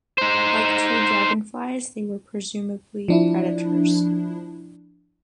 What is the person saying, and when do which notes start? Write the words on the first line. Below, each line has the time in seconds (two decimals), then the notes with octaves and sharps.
Like true dragonflies, they were presumably predators.
0.18 D#4 C5
3.08 F3 D4 E4